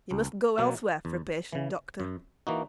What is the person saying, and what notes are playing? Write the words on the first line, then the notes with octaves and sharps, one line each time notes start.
You must go elsewhere for a patient, Doctor.'
C#2
B2 F#3 A#3
E2
C#3 E3
F#2
E3 A#3 D#4 F#4